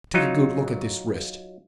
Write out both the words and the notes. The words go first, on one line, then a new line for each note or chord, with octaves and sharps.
Take a good look at this wrist.
F#3 D#4 F4